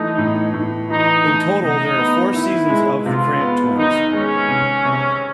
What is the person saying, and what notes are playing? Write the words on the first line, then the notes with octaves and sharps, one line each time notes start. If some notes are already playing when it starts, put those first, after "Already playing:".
In total there are four seasons of "The Cramp Twins".
Already playing: A2 E3 A3 D#4
A2
A2
E3 D#4
A3
C3 D#4
B3
D#3 E4
G#3
C3 F4
B3
D#3 D#4
G#3 C#4
C3
C3